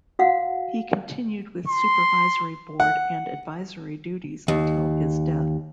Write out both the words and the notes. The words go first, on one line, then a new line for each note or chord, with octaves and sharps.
He continued with supervisory board and advisory duties until his death.
F#4 F5 F#5
C6
F#5
D#2